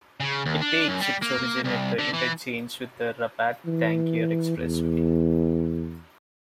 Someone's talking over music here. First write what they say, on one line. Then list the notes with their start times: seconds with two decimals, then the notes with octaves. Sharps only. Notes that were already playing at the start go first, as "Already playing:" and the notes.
It takes its origin at the interchange with the Rabat-Tangier expressway.
0.20 C#3
0.46 D#2
0.61 D4
0.88 F#2
1.01 G3
1.22 A#3
1.64 C2
1.99 D3
2.13 E3
3.66 E3
4.57 E2